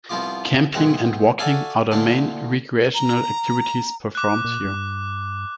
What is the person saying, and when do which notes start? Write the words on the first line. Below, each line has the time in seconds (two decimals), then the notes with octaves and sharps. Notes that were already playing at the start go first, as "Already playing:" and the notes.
Camping and walking are the main recreational activities performed here.
0.09 C2 F3 B3 F4 D6
0.73 B1 G#2 E3 F#5 G5
1.39 F#4 A4 D5 E5 F5 G#5
1.91 D2 A#2 E3 D4 F5
2.94 A#5
4.15 D6 F#6
4.44 A#2
4.65 G2